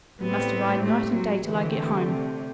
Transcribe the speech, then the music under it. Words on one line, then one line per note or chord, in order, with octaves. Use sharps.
I must ride night and day till I get home.
A2 G3 B3 C4
A3
F#3
D3 E3 A3 C4 G4
E3
C3